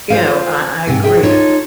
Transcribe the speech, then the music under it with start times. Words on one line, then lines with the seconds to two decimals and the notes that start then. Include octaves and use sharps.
you know, I I agree,
0.10 F4 C5 F5
0.87 G#2 C3 G#5
1.03 G#4 E5 G5
1.23 D#4 F4 A4 C#5 D#5